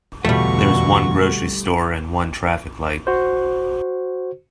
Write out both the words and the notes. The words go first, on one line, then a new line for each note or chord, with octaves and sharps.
There is one grocery store and one traffic light.
E2 B2 D3 G3 A3 F4 F#4 C#6
F#4 C5